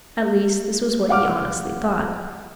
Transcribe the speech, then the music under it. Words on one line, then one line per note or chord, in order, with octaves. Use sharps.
At least, this was what he honestly thought.
F5 F#5 D6 F6